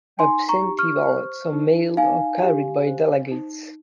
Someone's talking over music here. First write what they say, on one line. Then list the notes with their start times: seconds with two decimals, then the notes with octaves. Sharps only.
Absentee ballots are mailed or carried by delegates.
0.19 D#4 G#5 C6
0.49 A#5 C#6
0.64 G4
0.79 C#6 F6
1.08 C5
1.53 D#4
1.97 D#4 F5 G#5
2.42 G4
2.87 C5
3.32 D#4